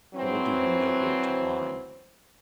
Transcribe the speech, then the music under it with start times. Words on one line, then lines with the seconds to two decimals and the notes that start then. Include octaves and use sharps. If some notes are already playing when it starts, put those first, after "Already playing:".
It will do him no good to whine.'
0.14 E3 F#3 C4